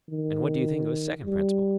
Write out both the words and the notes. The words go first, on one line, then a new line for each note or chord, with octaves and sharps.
And what do you think of a second principle?
D#3
G3